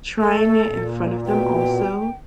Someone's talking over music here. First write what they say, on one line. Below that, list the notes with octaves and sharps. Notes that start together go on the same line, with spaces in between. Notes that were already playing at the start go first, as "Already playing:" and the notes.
Trying it in front of them also.
A3 A4
A#2
B2 G5